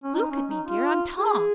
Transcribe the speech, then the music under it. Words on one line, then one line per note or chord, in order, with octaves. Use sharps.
Look at me, dear--I'm Tom.
C#4
D#4
C#4
D#4
F4
G#4